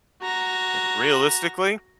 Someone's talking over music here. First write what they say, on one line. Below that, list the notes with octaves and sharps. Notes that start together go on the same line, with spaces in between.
Mm. Realistically?
F#4 A#5